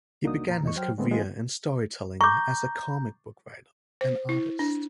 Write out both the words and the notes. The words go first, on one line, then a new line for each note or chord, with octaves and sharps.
He began his career in storytelling as a comic book writer and artist.
C2 A#3 D4 D#4 F#4 D#6
E2 A#2 A#5
E2 D#5 C#6
F#3 C5 G5 F6
D3 G#3 A3 B3 C4
E3 G#3 B3 C4 F4
A#5 C#6 D6 G6
C5
E4
D4